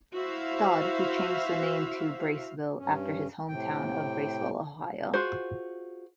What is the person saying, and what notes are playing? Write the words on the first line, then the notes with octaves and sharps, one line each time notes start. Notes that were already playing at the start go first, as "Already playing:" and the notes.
Dowd, who changed the name to Braceville after his home town of Braceville, Ohio.
E4 F#4 C5 E5 F5
G2 C#4
A2 C3 G5
F4 F#4 G#4 C5